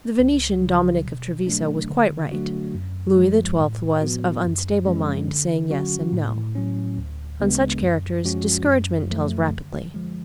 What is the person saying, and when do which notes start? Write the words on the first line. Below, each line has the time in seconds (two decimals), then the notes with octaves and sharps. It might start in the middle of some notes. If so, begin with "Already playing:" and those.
The Venetian, Dominic of Treviso, was quite right; Louis XII. was "of unstable mind, saying yes and no." On such characters discouragement tells rapidly.
0.19 C#2
0.62 C#3 F#3
1.04 B2
1.47 F#3 A3 D4
1.89 D3
2.32 F#3 A3 D4 F#4
2.74 F#2
3.16 F3 G#3
3.58 A2
4.01 F3 B3 F#4
4.44 F#2
4.86 F3 G#3 C#4
5.28 D3
5.70 F#3 C#4 F#4
6.13 A2
6.55 F#3 C#4
6.98 D2
7.40 C#3 G#3 B3 D4
7.82 F#2
8.25 F3 G#3 C#4 F#4
8.68 F#2
9.10 F3 A3
9.52 D3
9.94 F3 G#3